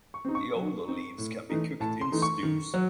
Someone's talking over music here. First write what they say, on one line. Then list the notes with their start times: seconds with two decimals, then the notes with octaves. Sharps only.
The older leaves can be cooked in stews.
0.14 C#6
0.25 C4 D#4
0.35 C#6
0.56 F#3
0.87 C4 D#4
1.18 A2
1.50 E3 A3 D#4
1.80 A2 A5
2.01 C6
2.12 E3 A3 D#4
2.22 C#6
2.43 D#3
2.74 F#3